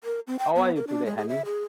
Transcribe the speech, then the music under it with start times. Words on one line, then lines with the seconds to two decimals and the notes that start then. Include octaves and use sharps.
How are you today honey?
0.04 A#4
0.27 C4
0.39 G5
0.56 B3
0.76 A#4
0.87 D4
1.06 G#3
1.18 G#4
1.29 E5
1.45 G#4